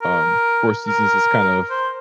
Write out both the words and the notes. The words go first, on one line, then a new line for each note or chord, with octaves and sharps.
um, four seasons is kind of
A#4
A#4
C5